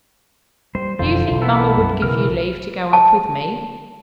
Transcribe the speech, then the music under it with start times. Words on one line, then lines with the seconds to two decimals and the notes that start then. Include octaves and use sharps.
'Do you think mamma would give you leave to go up with me?
0.75 G3 C5
0.99 E1 F2 D3 D#3 F4 C5
1.29 B1 E3
1.42 B3 E4 A4
1.78 F#2 G3
2.02 B1 C#3 E3 A#4 F6
2.93 A5